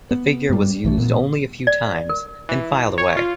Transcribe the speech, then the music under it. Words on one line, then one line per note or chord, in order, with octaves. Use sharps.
The figure was used only a few times, then filed away.
B3
G2 G3
B1 E3 A3
A#2 B3
D5
A#4
E3
C#5
F4